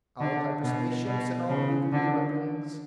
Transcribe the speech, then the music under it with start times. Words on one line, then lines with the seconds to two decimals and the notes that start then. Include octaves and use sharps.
All hyperspace ships, and all nuclear weapons....
0.21 D3
0.64 B2
1.07 B2
1.49 C#3
1.92 D3